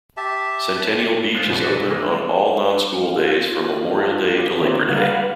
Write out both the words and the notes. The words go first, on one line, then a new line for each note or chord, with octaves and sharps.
Centennial beach is Open on all non-school days from Memorial Day to Labor Day.
G4 E5 A5
G#3 B3 F4 A4 B4 C5
A#1 F#2 B2
D4 F#4 A4 B4 C5
C2
D#3 E3 G#3 A#3
F4
B3 G4
D#3 A#3 C4 E4 G4
D#3 G3 A#3 B4 F5 F#5